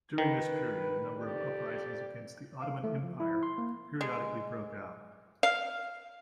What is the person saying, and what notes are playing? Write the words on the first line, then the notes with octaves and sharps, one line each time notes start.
During this period a number of uprisings against the Ottoman Empire periodically broke out.
D#3 B4
F2 G4 D5
F5
A3
F3
E4
C6
A#3
G#3
F5